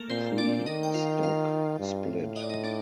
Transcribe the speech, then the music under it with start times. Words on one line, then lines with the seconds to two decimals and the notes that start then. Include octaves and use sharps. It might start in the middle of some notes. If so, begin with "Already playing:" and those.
Pre stock split.
Already playing: A3 A#3 A4 A#4
0.10 A#2 C4 C5
0.38 D4 D5
0.66 D#3 D#4 D#5
0.83 G5
0.94 F4 F5
1.23 F4 F5
1.79 G2
2.08 A2
2.36 D#5
2.42 D5
2.49 D#4 D#5
2.64 D4 D5